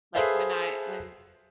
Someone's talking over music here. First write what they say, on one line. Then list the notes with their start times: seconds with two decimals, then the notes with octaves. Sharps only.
like, when I when
0.15 G#4 A4 B4 C5 E5 F5